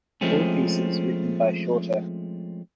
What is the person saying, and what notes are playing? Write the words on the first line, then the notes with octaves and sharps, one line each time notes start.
All pieces written by Shorter.
F3 G#3 A3 C4 C#4